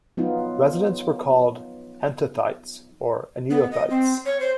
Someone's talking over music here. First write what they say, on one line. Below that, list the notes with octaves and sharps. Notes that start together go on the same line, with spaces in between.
Residents were called Antothites or Anetothites.
F#3 B3 D#4 F4
B3
D#5
C4
C#5
C5